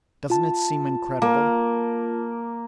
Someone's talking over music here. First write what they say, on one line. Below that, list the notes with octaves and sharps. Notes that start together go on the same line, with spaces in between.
Doesn't it seem incredible!
F4 A5
A#3